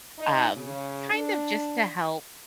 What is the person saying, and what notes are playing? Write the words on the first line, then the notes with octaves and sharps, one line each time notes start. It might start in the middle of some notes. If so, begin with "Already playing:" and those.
Um, kind of just to help
D#4
C#3
D4